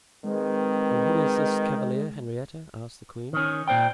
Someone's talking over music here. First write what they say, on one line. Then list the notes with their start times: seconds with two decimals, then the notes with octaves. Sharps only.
"And who is this cavalier, Henrietta?" asked the queen.
0.24 D#3 G#3 C4 B4
3.33 D#3 C#4
3.68 A#2 C5 D5 G5